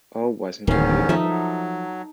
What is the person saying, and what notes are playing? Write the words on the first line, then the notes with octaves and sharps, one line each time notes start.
Oh, wasn’t it beautiful?
D1 E2 G#2 D#3 C#4 F5
F3 D#4 A4 E5
F#3